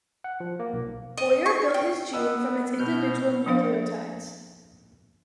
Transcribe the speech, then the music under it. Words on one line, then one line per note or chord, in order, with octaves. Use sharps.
Boyer built his gene from its individual nucleotides.
F#5
F3
A#3
B1
D#5
C#6
G5
B3 D#5 E6
B2 F6 G6
F3 A#3 D4 C5 F5